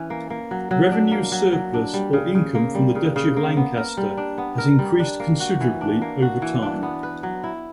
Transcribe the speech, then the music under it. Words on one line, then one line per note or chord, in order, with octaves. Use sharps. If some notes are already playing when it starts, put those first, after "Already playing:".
Revenue surplus or income from the Duchy of Lancaster has increased considerably over time.
Already playing: E3 C#4
A#3
A#3
F#3
F#3
D4
A#3
F#3
F#3
D4
G3
C#3
C#3
A#3
G3
C#3
C#3
A#3
B3
A#4
G3
D4
B3
A#4
G3
D4
A#3
F#4
E3
D4
A#3
F#4
E3
D4
B3
B4
F#3
E4